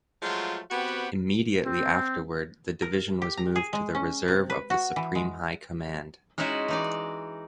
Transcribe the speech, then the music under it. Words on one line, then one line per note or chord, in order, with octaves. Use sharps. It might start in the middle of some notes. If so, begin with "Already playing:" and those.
Immediately afterward the division was moved to the Reserve of the Supreme High Command.
F3 F#3 G#3 A3 F4
B3 C4 F#4 G4 B4
C4
A#4
G4
A#5
G#4
G#3
C#4
C3
B4
F#4
E3
G#3
G#3 C#4 D#4 E4 F#4
E3 D#4 D5